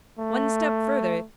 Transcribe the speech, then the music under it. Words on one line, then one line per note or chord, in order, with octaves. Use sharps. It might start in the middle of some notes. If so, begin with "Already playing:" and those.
'One step further....
A3